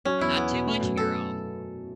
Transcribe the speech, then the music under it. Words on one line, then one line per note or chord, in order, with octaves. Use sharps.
not too much of your own."
F#3 C#4
E2 E4
E2 B3
B2
A3
F#2
A4